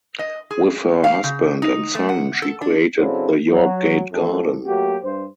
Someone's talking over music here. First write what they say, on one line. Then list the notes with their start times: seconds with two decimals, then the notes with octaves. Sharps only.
With her husband and son she created the York Gate Garden.
0.19 D#5
0.51 G#4
1.04 F5
1.24 C#3
1.62 D#4
1.95 A3
2.09 F#5
2.42 A4
2.61 D4
2.98 C#3 F#3 C4 D4 E4 A4
3.51 F#3
4.12 A1 F2 A4
4.66 F#3 A3 A#3 F#4 G4
5.03 G2 C5